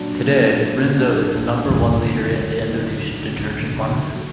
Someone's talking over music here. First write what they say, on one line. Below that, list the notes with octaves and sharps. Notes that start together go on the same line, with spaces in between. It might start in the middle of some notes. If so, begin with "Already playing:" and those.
Today, Rinso is the number one leader in the Indonesian detergent market.
Already playing: A#2 F#3 D4
A#2
F#3 D4
A#2
F#3 D4
A#2
F#3 D4
D3
F#3 B3 D#4
D3
F#3 B3 D#4
D3
F#3 B3 D#4
D3
F#3 B3 D#4
F#3